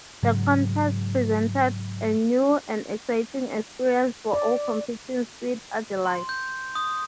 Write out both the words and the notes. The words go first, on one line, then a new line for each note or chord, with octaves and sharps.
The contest presented a new and exciting experience for all competing Sweet Adelines.
G#2 C#3 F#3
D5
C6
G6
D#6